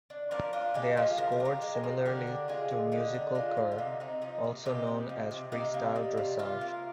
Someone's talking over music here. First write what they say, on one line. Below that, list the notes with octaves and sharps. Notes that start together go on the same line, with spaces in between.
They are scored similarly to musical kur, also known as freestyle dressage.
D4
F3 A#4 D5
D4 F4
G#3 D#4 G4
F3 F4 G#4
F3 A#4
C5
D4
G4 A#4
G#3
F3
D3 G4 A#4
D4
G#3 F4 G#4
D3
D3 D#4 G4
D4
G#3 F4
D3
F4
C3 D#4
C4 D#4
F3 D#4
C3
C3 D#4 G4
C4
F3
C3
C3 D#4 G4
A#3
G3
C3
C3 F4
A#3